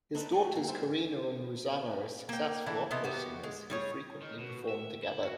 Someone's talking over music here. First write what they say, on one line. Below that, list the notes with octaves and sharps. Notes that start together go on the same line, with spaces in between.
His daughters Karina and Ruzanna are successful opera singers who frequently perform together.
C4 D4 D#4 A4 B4
F#3 A3 F#4 G#4
A3 A#3
G3 C5 D5 E5 F#5
G#2
A#3 G5
E3 D4 E4
C3 B3 D#4 E4
B3 F#4 G4
G#3
G3 G#4 C#5
D#3
B2
E5
E4
F#4